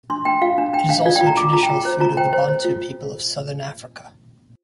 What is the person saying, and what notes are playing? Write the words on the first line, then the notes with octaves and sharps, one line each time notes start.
It is also a traditional food of the Bantu people of Southern Africa.
D4 C6
D4 G5
F4 F5
D4
D4 G5
D4 F5
F4 D5
G5
F4
A#5
F4 D6
F4 A#5
G5
F4 A#5
C5
F4 A#5
C5 G5
C5
C5
F4